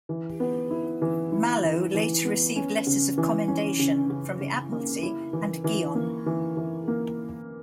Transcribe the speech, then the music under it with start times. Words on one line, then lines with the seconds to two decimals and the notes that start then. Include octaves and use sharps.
"Mallow" later received letters of commendation from the Admiralty and Guyon.
0.09 E3
0.40 B3
0.71 E4
1.02 E3
1.32 E4
1.64 E3
1.94 E3
2.25 B3
2.56 C#4
2.87 C#3
3.18 E3
3.48 C#4
3.79 C#3
4.10 C#3
4.41 C#3
4.72 A#3
5.03 E4
5.33 E3
5.64 E3
5.95 A#3
6.26 E3
6.57 E3
6.88 A#3